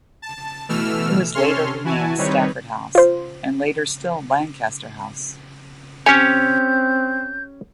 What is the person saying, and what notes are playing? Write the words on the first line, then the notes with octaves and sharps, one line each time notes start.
It was later renamed Stafford House, and later still Lancaster House.
A5
B2 E3 A3 E6 F6
C3 C#4 A4 C#5 C6 F6
E3 E4 F#4 G#5 A5
D#3 G3 C4 D#4 B4 C#5
F4 C5
C4 C#4 G4 C#5 G#5 G6